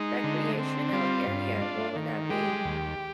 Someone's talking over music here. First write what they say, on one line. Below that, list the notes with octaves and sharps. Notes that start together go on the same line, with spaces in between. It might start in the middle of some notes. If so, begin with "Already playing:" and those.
recreational area, what would that be?
Already playing: G#3 D#4
D3
C4
G3 F4
G2
D4
D#3
G#3 G4
D#2